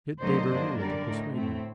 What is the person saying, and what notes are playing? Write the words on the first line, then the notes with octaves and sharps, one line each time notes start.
Get de Berulle to persuade him.
D2 D3 F#3 A#3 D#4 C5 D#5
G2 F#3 A#3 D4
F#2 D3 G3 A#4 D5
A2 A3 D#4
A2 A3 C4